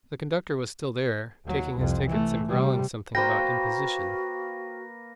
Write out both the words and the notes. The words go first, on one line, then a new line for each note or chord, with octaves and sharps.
The conductor was still there, taking his tickets, and growling something about imposition.
D#2 F#3
C2 F2
E3 A3
C3 G3
A#3 F#4 B4 C5 F5 G5 A#6